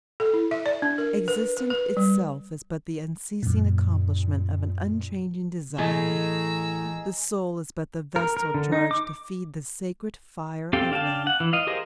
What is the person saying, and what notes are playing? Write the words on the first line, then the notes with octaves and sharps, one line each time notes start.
Existence itself is but the unceasing accomplishment of an unchanging desire; the soul is but the vestal charged to feed the sacred fire of love.
A4
E4
E5
D5
D4
A#4
B4
B4
B4
G3
F#2 A#2
A2 E3 A3 G#4 D#5 A#5 E6
A#4
A#4
D3
D#4
D6
C4 G4 A4 F5 G5
D4 F5 G5 A5
F#5
E3
D#5 F5
G4 G#4 A#4 C5 D#5